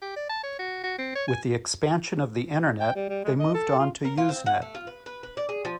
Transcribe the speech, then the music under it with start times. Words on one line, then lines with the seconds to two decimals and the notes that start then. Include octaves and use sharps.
With the expansion of the Internet they moved on to Usenet.
0.02 G4
0.16 D5
0.29 A5
0.43 C#5
0.59 F#4
0.84 F#4
0.98 C4
1.15 C#5
1.28 G#5
2.80 G5
2.95 G3
3.09 G3
3.24 G#3
3.39 D#5
3.54 A4
3.79 F4
4.05 A#4
4.18 F4
4.29 C4
4.46 F#5
4.62 A3
4.75 F4
4.87 B4
5.06 B4
5.23 B4
5.37 D5
5.49 G#4
5.65 F3